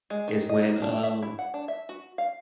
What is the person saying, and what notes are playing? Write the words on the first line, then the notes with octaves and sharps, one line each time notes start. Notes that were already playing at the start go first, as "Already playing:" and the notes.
is when, um
G#3
D#3
D#5
D#4
D4
E5
E4
F#5
D4
E5
F#4
F5